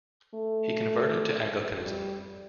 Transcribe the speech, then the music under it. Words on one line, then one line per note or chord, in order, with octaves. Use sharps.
He converted to Anglicanism.
A3
G3